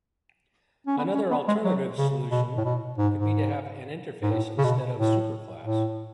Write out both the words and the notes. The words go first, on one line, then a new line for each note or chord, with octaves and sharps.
Another alternative solution could be to have an interface instead of superclass.
C#4
B3
C#4
B3
G#3
F#3
C#3
B2
A2
B2
G#2
G#2
G#2
A2
C#3
B2
A2
A2